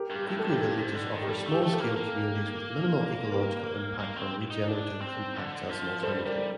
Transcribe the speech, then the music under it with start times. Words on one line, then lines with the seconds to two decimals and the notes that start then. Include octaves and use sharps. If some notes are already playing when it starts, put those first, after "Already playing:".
Ecovillages offer small-scale communities with minimal ecological impact or regenerative impacts as an alternative.
Already playing: G4 A#4
0.10 G2
0.16 G4
0.28 A2
0.39 A4
0.44 G2
0.50 C3 G4
0.60 A#2 A4
0.78 C3
0.95 D3
1.12 D#3
1.21 G4
1.28 G3 A4
1.46 A3
1.51 G4
1.63 A3
1.74 A4
1.80 A#3 A#4
1.93 A#3 A4
3.32 G4 A#4
4.00 A#3
4.16 C4
4.51 D#4
4.68 D4
5.01 C4
5.35 D3
5.69 F3
6.03 G3 A4 C5
6.25 G3 A#4 D5